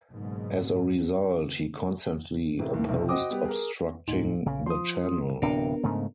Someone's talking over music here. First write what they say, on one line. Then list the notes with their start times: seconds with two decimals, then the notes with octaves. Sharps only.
As a result, he constantly opposed obstructing the channel.
0.11 F#1 G#2 B2
2.59 A1 C3
2.74 D#2 A2
2.88 B1 C3
3.09 F#4 C5 D#5 G5 D6 D#6
3.30 G3 B3 G4 B4
3.45 G#4 A#4
4.08 D#2 A2 D#4
4.46 A#1 C#3
4.66 F3 C6 D#6
5.42 D1 C3 B3 D4 A#4
5.84 G#2 C#3 A3